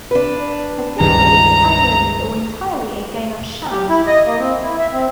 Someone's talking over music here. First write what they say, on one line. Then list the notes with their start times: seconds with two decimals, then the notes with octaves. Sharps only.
Pachinko is primarily or entirely a game of chance.
0.11 D4 B4
1.00 C#2 G2 D#3 A#5
3.70 G4
3.89 E4
4.07 D#5
4.25 A#3
4.39 C4
4.61 E4
4.78 E5
4.92 C4